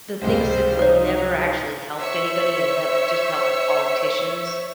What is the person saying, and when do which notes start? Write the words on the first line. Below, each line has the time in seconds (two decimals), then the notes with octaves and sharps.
the things that have never actually helped anybody and have just helped the politicians.
0.21 C#2 C3 G3 G#3 C5
0.79 D#4 C5 C#5
2.01 C5 C#5 E5 C#6 E6